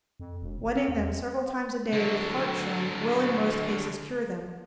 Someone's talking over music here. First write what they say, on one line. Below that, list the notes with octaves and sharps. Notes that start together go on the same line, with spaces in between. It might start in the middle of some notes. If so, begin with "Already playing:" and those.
Wetting them several times a day with hartshorn will in most cases cure them.
F2
E1
G#1
C4
E2
D3 F#3